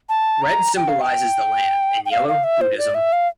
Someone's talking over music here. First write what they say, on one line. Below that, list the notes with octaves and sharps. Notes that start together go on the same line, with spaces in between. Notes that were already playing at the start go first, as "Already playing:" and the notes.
Red symbolises the land and yellow, Buddhism.
A5
A#5
G5
F5
G5
G5
F5
F5
E5
C5
D5
E5
F5